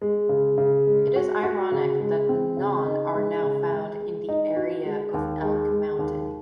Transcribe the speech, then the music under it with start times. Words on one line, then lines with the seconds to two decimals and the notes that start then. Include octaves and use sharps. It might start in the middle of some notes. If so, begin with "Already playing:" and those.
It is ironic that none are now found in the area of Elk Mountain.
0.02 G#3
0.29 C#3
0.58 C#3
0.87 G#3
1.16 F#4
1.43 F#4
1.72 C#3
2.00 G#3
2.29 C4
2.57 C#3
2.86 D#4
3.15 G#3
3.43 C#3
3.71 G#3
4.00 G#3
4.29 D#4
4.56 F#4
4.85 G#3
5.14 D#2
5.42 G#3
5.71 G#3
5.99 D#2